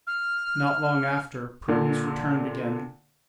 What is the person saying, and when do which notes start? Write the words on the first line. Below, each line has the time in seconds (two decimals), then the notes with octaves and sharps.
Not long after, Prudence returned again.
0.07 F6
1.68 A#2 D3